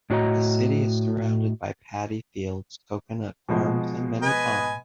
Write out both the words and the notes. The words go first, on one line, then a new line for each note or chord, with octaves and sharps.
The city is surrounded by paddy fields, coconut farms, and many ponds.
A2 D4 F#4 C#5 D#5 A#5
B2 F3 G#3
B4 D#5 G#5